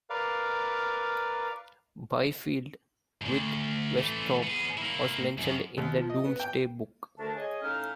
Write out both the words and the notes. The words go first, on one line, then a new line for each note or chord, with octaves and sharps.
Byfield, with Westhorp, was mentioned in the "Domesday Book".
A#4 B4 D5 F5
D2 G#2
E3 A3
B3 G#4
A#3 E4
F#2
D#2
F3
D#5
B3
G5
D2 D3 A3 D4 A#4 A5
G#4 C#5 D#5 G#5
A2 C#4 D#4 E4 F5 F6